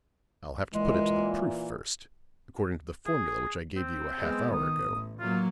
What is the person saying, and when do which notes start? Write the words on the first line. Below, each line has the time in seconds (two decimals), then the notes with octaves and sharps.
I'll have to put it to the proof first, according to the formula which I gave you a half hour ago.
0.74 A#2 E3 G#3
3.06 G#4
3.76 C4
4.18 G#3 B3
4.53 D#3 D#6
4.84 A1
5.20 F#3 A#3 F4